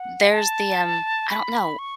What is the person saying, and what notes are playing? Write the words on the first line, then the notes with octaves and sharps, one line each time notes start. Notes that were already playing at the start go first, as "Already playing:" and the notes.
there's the, um, I don't know.
Already playing: F#5
A5
B5
C#6